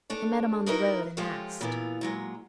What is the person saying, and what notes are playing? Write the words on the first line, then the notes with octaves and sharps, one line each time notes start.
I met him on the road and asked.'
A3 D4 C#5
D#4 E4 F#4 A#4 B4 D#5
F3 G#3 A3 F4 G4 C#5
A#2 E3 B3 F4
A#2 F#3 G#3